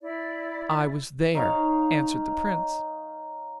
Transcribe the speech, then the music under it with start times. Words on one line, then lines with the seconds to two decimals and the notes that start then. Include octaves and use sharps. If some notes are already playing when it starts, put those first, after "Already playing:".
'I was there,' answered the prince.
0.01 E4 D5
1.35 D#4 C#5 F5